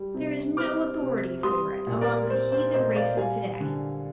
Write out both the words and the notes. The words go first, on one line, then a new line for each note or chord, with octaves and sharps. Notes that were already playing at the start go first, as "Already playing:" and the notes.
There is no authority for it among the heathen races to-day.
Already playing: G3
C3
C4 D6 F6
C3
G3 C6 D#6
A#2
A#4 D5
C4 C5
C5
A#2 C5 D#5
D5 F5
G3 F5 G#5
D3